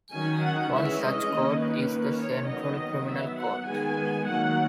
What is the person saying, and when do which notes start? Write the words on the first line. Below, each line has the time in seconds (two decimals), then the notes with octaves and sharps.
One such court is the Central Criminal Court.
0.12 D#3 F#3 C#4 G#5
0.42 F#5
0.72 E3 G#3 C#4 E5
1.01 D#5
1.30 D#3 A#3 C#4
1.60 B4
1.89 D#3 A#3 C#4
2.19 C#5
2.48 D#3 F#3 B3 D#5
3.07 F#3 B3 E5
3.36 F#5
3.66 D#3 G#3 B3 G#5
4.25 D#3 F#3 A#3 F#5